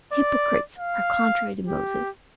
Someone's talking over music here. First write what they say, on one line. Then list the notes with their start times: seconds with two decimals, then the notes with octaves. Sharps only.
Hypocrites are contrary to Moses.
0.13 D5
0.78 F5
1.67 G4